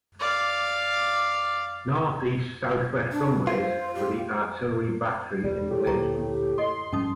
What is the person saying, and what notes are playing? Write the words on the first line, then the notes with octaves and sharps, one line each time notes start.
Northeast-southwest runways, were the artillery battery emplacements.
D5 F5
D4
F4 C5
G4
E2 B2 G3
A2 G4
D2 A#2 G5 A#5 C#6
A4 D#5 C6
G#2 F3 G3 C#4 D#4 D#6